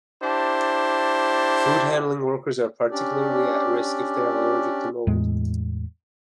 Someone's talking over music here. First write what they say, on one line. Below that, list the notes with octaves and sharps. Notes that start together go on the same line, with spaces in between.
Food-handling workers are particularly at risk if they are allergic to mold.
D4 E4 G4 C5 A5
C#4 D4 G4 D5
E2 A2 G#3